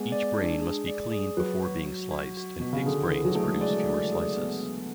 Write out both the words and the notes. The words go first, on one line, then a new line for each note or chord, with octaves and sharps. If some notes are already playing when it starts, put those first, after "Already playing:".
Each brain must be cleaned before being sliced and pigs' brains produce fewer slices.
Already playing: G#3 B3
D5
D4
G#4
D5
G#4
F#3 B4
F#4
F#4
F#4
F#4
B2 F#4
C#3
D3 G#4
E3
G#4
F#3
A3 G#4
G#3
G#3 D5
D5
G#4
B3
B3